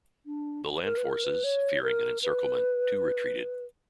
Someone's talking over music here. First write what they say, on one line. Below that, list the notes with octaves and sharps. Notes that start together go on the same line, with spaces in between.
The land forces, fearing an encirclement, too retreated.
D4
A#4
B4
A#4
B4
C#5
A#4
B4